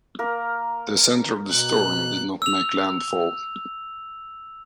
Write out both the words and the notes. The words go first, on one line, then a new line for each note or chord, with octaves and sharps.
The center of the storm did not make landfall.
A#3 A#4
B2 F#6
E6 F7